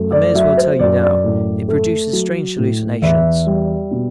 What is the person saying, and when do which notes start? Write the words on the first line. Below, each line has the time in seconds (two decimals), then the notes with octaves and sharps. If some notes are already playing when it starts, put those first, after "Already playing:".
I may as well tell you now, it produces strange hallucinations.
Already playing: F#2 A3
0.12 D5
0.35 F#3 E5
0.57 C5
0.79 F#2 D5
1.02 D5
1.24 A2
1.68 A3
2.13 F#3
2.57 A2
3.02 E2 E5
3.47 G3
3.91 B2